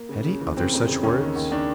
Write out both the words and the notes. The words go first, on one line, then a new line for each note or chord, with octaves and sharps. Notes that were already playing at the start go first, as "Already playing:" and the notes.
Had he other such words?
Already playing: A#3
C#3
C#3
E3
C#3 C4
F1
C#3
D#2 C#4
D#3
D#2
D#3 D4